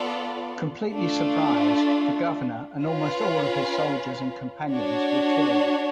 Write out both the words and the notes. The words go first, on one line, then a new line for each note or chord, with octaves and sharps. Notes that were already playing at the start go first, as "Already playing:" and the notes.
Completely surprised, the governor and almost all of his soldiers and companions were killed.
Already playing: B3 F4 A4 D5
A3 D4 F4
C#4 F4 B4
D4 F#4 C#5